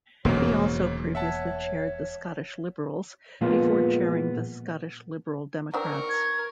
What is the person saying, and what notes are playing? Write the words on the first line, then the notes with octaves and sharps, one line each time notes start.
He also previously chaired the Scottish Liberals, before chairing the Scottish Liberal Democrats.
E1 G#2 C#3 F#3 A#3 C#5
C#5 E5 F#5 A5
A#2 F3 G#3 A#3 B3 F4
D#3 C4 D4 A#4 C#6
G#6